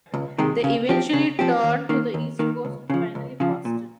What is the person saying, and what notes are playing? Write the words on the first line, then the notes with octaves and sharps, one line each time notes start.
They eventually turned to the East Coast and finally Boston.
C#2
C3 D#3 G#3
C#3
F3 C4 G4
C#3
F3 C4 G4
D#2
D#3 A#3
D#2
D#3 A#3
C#2
C#3 F3
C#2
C#3 F3
A#2